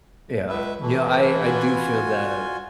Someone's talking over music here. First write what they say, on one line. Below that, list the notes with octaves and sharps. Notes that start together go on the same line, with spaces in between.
Yeah. You know, I I do feel that,
C#2 B4 E5
E3 A3
F4 F#4 G#5